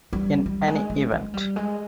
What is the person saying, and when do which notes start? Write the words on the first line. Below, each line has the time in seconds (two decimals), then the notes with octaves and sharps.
In any event.
0.13 G3
0.46 G3
0.67 G#3
0.90 G#3
1.12 G#3
1.34 G3
1.56 G#3